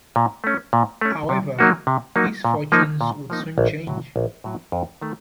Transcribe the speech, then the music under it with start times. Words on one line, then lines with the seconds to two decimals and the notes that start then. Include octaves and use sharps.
However, his fortunes would soon change.
0.16 A#2
0.44 A3 C#4
0.73 A#2
1.01 A3 C#4
1.29 C3
1.59 F#3 A#3 D#4 F#4
1.87 C3
2.16 F#3 A#3 D#4 F#4
2.45 A#2
2.72 F3 A#3 D#4
3.01 A#2
3.30 F3 A#3 D#4
3.58 A#1
3.87 A2 F#3
4.16 A#1
4.44 A2 F#3
4.72 F2
5.01 D#3 A3